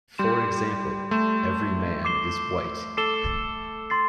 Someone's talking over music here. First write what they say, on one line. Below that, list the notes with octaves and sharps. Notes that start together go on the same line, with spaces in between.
For example, 'every man is white'.
G3 C6 G6 E7
A3 C6 G6 E7
D6 C7 E7 G7
A4 D6 C7 E7 G7
C6 A6 C7